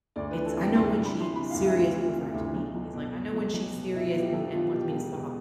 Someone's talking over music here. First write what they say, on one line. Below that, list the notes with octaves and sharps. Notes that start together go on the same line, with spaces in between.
it's I know when she's serious" referring to me- he's, like, "I know when she's serious and and wants me to stop."
D2 D5
B4
E3
A4
C3
G5
D2 C6
D2
B5
E3
C6
C3 B5
F5
D2
E5
D2
E3 F4
C3
D2
B1
B1
B2
B2
B1
B1
B2
B2 E4
B1 F4
G4
B1 A4
B2 F4
B2 G4
E1
B2